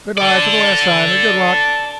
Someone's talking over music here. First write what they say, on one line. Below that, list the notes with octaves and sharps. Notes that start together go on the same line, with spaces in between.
"Good-by for the last time, and good luck."
A4 D5